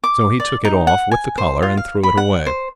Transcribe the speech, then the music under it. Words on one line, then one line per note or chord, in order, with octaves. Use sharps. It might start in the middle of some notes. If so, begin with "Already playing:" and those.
So he took it off with the collar and threw it away.
D6
D5
D#4
F#5
G#5
C5
F4
F5
B5
F#5
C5